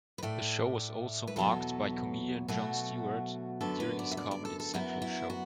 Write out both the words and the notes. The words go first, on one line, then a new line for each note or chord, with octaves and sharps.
The show was also mocked by comedian Jon Stewart during his Comedy Central show.
B4
A2 A3 D5
B4
E2 B2 F#3 B3 A4
B2 F#3 A3 F#4
F#2 D3 F#3 B3 A4
B4
D5
E5
D5
D5
A4
A4
F#2 F#3 B3 E4
E4
F#4